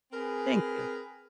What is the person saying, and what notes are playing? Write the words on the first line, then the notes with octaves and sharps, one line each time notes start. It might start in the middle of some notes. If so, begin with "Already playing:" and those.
Thank you.
C4 G#4 A#4 B4